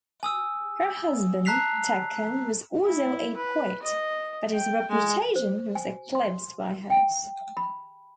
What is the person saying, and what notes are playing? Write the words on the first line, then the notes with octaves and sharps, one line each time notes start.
Her husband Tekkan was also a poet, but his reputation was eclipsed by hers.
G#5 D#6 E6
A5 A#5 F#6 B6 C7 F7
E4
B4
D#5
G5
G#3 G#5
C5
G#5
C6
G5
B5